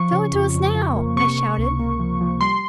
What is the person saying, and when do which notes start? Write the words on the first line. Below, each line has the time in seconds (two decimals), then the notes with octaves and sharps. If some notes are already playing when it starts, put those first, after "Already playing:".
"Show it to us now!" I shouted.
Already playing: F3 C#6
0.12 C#3
0.34 F2
0.55 F2
0.75 F3
0.95 A#3
1.16 C3 C#6
1.37 C3
1.58 C#2
1.79 A#3
1.99 F3
2.21 F3
2.41 G3 C6